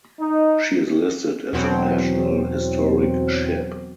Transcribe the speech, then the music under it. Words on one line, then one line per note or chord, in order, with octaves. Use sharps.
She is listed as a National Historic Ship.
D#4
E2 B2 F#3 C4